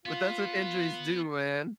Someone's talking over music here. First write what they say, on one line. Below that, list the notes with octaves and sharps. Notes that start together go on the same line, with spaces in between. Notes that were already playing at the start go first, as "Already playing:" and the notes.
But that's what injuries do, man.
B3 F4